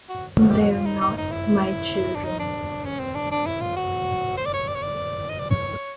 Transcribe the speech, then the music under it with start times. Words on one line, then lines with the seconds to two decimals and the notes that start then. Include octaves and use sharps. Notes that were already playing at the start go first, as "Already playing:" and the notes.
They're not my children.
0.09 F#4
0.40 F#4
0.51 G4
0.60 F#4
0.70 F4
0.86 D#4
1.01 D#4
1.17 D#4
1.31 E4
2.15 D4
2.24 D#4
2.39 D4
2.85 C#4
3.00 C4
3.15 D4
3.31 D4
3.46 E4
3.61 F4
3.76 F#4
4.37 C5
4.46 D5
4.53 C#5
4.68 D5
4.75 C#5
4.83 D5
5.29 D#5
5.39 D5
5.50 C#5